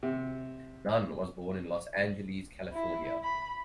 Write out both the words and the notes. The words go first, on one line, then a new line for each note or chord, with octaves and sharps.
Nunn was born in Los Angeles, California.
C3
E4
B5